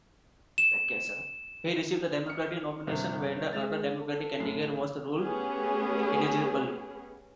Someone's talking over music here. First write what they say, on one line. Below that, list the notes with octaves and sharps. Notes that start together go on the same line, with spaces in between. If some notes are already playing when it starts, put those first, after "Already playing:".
He received the Democratic nomination when the other Democratic candidate was ruled ineligible.
E7
F6 C#7
G1 C3 A#4
G#3 A6 F7
A4
F#2 A2 C7
A3 B3 C#4 G4 G#4